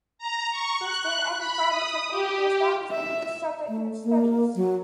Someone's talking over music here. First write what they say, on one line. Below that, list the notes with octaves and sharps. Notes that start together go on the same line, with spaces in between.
Since then, every province has ordered the establishment of this subject in its studies.
A#5
C#6
F#6
B5
D#6
G4
G4
E5
A3
A#3
F#3